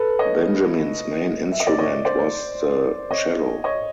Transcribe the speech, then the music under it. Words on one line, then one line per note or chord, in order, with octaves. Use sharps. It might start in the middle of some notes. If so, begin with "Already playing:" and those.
Benjamin's main instrument was the cello.
Already playing: A4 B4
C#5 D#5
E5
D#5
D5 E5
C#5 D#5
C5 D5
C#5 D#5
C#5 D#5